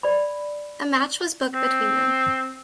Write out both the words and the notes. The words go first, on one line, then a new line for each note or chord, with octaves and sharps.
A match was booked between them.
D5 B5
C4